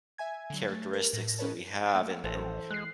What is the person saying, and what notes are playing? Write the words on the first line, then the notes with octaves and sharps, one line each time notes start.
characteristics that we have, and and
E5 G#5 G#6
D3 F#3
A3 A6
A#4
A2 A#6
C#4 D#4 A#4 B4 C#5 A5
A3 A#3
A1 E3 A4 C5
G#3 F#6 C7